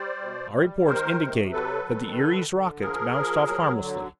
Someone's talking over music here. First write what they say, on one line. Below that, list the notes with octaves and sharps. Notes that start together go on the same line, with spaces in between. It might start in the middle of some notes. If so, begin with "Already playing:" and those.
Our reports indicate that the Eries' rockets bounced off harmlessly.
Already playing: G3 C5 D5
B2
G3
D#3 A#4 C5
C3
F#3 A4 B4
D#3
D3
D3
F3 G#4 A#4
F3
F#3
D3